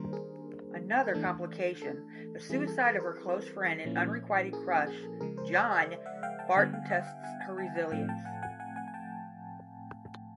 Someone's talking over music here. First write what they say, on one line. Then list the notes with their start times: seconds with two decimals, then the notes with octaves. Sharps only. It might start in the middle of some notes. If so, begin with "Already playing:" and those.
Another complication-the suicide of her close friend and unrequited crush, John Barton-tests her resilience.
Already playing: D#3 G3 A#3 D4 A#4 C5
0.13 G#4 A#4
1.03 A#4
1.14 E3 A3 D4 A4
1.82 A4
2.49 E3 G3 C4 E4 G#4
2.67 A4
2.84 A4 B4
3.00 A#4 C5
3.85 A#2 F3 A#3 C#4 E4
4.53 G#4 A#4
4.87 G#4
5.03 A4
5.21 C#3 F3 G#3 G#4 A#4
5.37 A#4 C5
5.54 C5 D5
5.72 D5 E5
6.06 E5 F#5
6.23 F5 G5
6.39 G5 A5
6.56 D3 G3 B3 F#5 G#5
6.73 F5 G5
6.90 E5 F#5
7.07 F5 G5
7.24 F#5 G#5
7.41 F#5 G#5
7.58 G5 A5
7.75 F#5 G#5
7.92 A2 F3 A3 C4 F5 G5
8.09 G5 A5
8.25 F#5 G#5
8.43 F#5 G#5
8.60 F#5 G#5
8.76 F#5 G#5
8.88 G#5
8.94 G5 A5